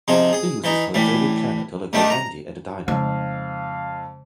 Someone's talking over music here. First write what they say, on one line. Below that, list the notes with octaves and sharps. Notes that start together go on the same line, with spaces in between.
He uses her daily planner to locate Andy at the diner.
C3 F3 D#4 G#4
G#4
E3 D#4
A2 E3 G3
G2 D#3 G3 A3 D4
A#5
F2 C#3 G#3 D#4 F5